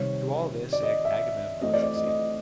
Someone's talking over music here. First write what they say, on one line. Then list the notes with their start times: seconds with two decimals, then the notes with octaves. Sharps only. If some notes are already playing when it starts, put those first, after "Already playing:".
To all this Agamemnon succeeded.
Already playing: C3 D#3 G3 C#5
0.73 D5
0.83 D#5
1.05 E5
1.62 E3 A3 C4 D#5
1.74 D5
1.84 D5
1.95 D#5
2.07 D#5